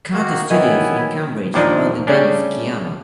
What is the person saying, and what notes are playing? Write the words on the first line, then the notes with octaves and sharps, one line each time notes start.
Carter studied at Cambridge under Dennis Sciama.
D#3 A#3 F#4
D#3 E3 F#3 B3 E4 G#5
D#2 A#2 F3 D4 D#4
C#3 G3 A3 C#4 D4